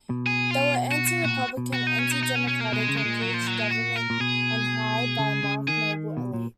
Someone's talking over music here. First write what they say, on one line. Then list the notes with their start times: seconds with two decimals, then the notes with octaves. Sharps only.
They were anti-Republican, anti-democratic, and preached "Government on High", by a marked noble elite.
0.10 B2
0.26 G#4
0.51 F4
0.92 F#4
1.08 F#4
1.24 A#2 F#4
1.57 B2
1.74 F#4
1.87 D#4
1.99 C#4
2.11 D#4
2.23 D#4
2.35 C#4
2.48 C#4
2.60 A#3
2.72 B2 G#3
2.89 C#3
2.97 G#3
3.05 A#2
3.22 F#3
3.34 F3
3.47 F#3
3.58 G#3
3.71 F#4
3.96 A#4
4.10 A#2
4.20 B2 G#4
5.19 C#3
5.43 C#3
5.68 D#3 G#4
6.17 B2
6.34 A#2